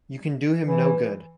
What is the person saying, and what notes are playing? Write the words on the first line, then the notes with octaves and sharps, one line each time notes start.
You can do him no good.
E3